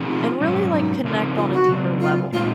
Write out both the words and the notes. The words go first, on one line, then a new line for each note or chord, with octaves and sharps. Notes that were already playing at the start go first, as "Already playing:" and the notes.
and really, like, connect on a deeper level.
Already playing: F3 C4 D#4 G#4
F4
G#2 F#3 C#4
D#4
C#3 F3 C4 D#4 A#4
F4
F#4
C#3 F#3 C4
F4
A#2 G#3 C4 D#4 F4